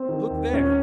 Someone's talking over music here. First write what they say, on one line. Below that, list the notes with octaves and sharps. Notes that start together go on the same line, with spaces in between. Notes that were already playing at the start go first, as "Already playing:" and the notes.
"Look there!"
Already playing: C4
D#3
D#2
A#2 C#4